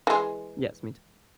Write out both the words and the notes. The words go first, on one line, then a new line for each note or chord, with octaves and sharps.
Yes, me too.
E3 G#3